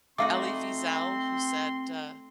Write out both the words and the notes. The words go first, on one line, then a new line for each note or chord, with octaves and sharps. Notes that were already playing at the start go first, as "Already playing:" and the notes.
Elie Wiesel who said, uh,
A3 C4 D#4 F#4 F5 C6 D6